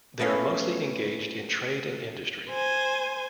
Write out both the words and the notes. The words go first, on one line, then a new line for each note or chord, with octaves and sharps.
They are mostly engaged in trade and industry.
A3 B3 C#4 F5
C5 G#5